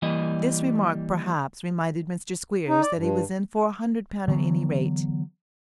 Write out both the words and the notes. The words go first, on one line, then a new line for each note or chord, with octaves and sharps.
This remark, perhaps, reminded Mr Squeers that he was in for a hundred pound at any rate.
E3 G3 A#3 D#5
D#4
D5
G2
D3 E3 F#3 B3